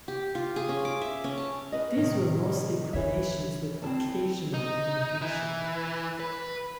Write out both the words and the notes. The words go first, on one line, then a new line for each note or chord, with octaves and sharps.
These were mostly cremations, with occasional inhumation.
G4
F4
G#4
C#4
D6
E5
C#4
A5
D#4 B4 D#5
A2 C3 D#3
E3 C#5 E5
C4 E4 A5
D#4
E3
B4